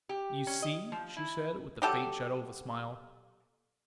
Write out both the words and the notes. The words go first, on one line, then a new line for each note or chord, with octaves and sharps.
"You see?" she said, with the faint shadow of a smile.
G4
C#4
D#5
F3
E4
F#3 G4 A4